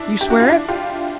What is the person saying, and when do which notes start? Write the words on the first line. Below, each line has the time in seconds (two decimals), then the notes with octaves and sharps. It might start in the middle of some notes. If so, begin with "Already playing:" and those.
You swear it?'
Already playing: D4 E4
0.21 G4
0.30 F#4
0.40 F4
0.49 D4 E4
0.68 F4 G4